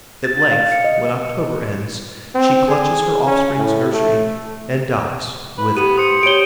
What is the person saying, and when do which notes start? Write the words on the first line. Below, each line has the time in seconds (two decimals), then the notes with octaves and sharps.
At length, when October ends, she clutches her offspring's nursery and dies withered.
0.24 A6
0.51 F5
0.72 C#7
0.84 D#5
2.35 C4
2.68 G#4
3.26 C#4
3.58 A2
3.92 A3
5.58 B4
5.77 B3 G4 D#7
5.97 C5 D#6 C#7 D#7
6.23 G4 C#5 D7 G7